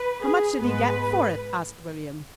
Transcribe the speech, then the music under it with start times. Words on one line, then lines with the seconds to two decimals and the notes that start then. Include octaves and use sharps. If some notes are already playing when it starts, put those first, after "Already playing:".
"How much did he get for it?" asked William.
Already playing: B4
0.22 G#4
0.59 G#2 G#3 B3 B4